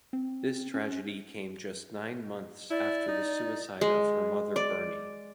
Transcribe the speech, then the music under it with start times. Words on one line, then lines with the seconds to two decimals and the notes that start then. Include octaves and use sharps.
This tragedy came just nine months after the suicide of her mother Bernie.
0.13 C4
0.74 C#4
2.71 E4 D5
3.08 D#4
3.81 G#3
4.56 D5